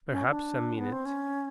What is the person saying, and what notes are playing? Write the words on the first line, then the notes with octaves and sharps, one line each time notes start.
Perhaps a minute.
C#4
D4
B3
C4
C#4